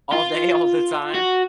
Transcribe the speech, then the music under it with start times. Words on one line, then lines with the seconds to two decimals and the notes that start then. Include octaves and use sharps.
all day, all the time?
0.12 F4
1.14 F#4